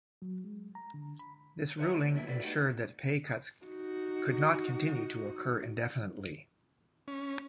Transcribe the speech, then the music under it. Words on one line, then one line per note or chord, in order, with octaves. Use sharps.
This ruling ensured that pay cuts could not continue to occur indefinitely.
F#3
G#3
A#5
D3
B5
B4 C#5 E5 F#5 A5 A#5
B2 E3 A3
A#2 F#3 B3 E4 E5
B3 E4 F#4 A4 B4 D5
G3 A3 B3 D#4 F#4 G4
D#4 F#4
C#4